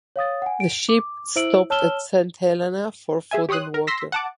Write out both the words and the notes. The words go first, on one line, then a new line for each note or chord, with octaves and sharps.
The ship stopped at Saint Helena for food and water.
C#5 F5 D#6 A6
F#5 G#5
D7
D6
E4 C5 E5 E6 D7 F#7
C#5 A5 E6 F6 E7 G7
G#4 E5 G#5
G4 C#5 C6 D#6 F#6
A#4
C6 E6 A#6 B6
F#5 A5 D6